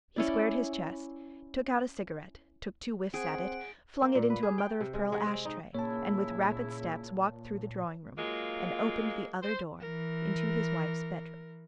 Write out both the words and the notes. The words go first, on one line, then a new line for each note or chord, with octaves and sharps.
He squared his chest, took out a cigarette, took two whiffs at it, flung it into a mother-of-pearl ashtray, and with rapid steps walked through the drawing room, and opened the other door into his wife's bedroom.
C#4 E4 D5
C4 G#4 F#5 D7
A#3
A#2
B4
G#4
G5
C3
G#3
G#3
C4
D#4
A#2 C#3 A#3 E4 C#5 A5
F#3 G#3 A#3 F4
C5
E3 A#4